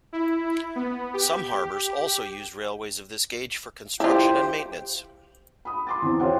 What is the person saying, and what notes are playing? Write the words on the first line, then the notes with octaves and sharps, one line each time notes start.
Some harbours also used railways of this gauge for construction and maintenance.
E4
B3
G4
E4 F4 G4 C5
B5 D#6
C6 D6 A6
E2 C4
F4 F#4 C5 C#5 F#5 G5